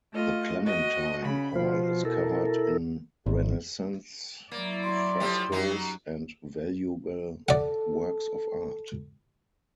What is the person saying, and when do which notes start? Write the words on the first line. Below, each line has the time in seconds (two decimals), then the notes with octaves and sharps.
The Clementine Hall is covered in Renaissance frescoes and valuable works of art.
0.12 A3 F4 D#5
0.62 F#4 D#5
1.20 C#3 B5
1.56 B2 F3 F4 C5
2.05 E4 A4 A#4
3.26 G#1
4.52 F#3 A#3 E4 D5
4.84 C6
5.20 F3 A3 G4
5.52 F#2 F#3 G3 D#4
7.49 A4 D5 F#5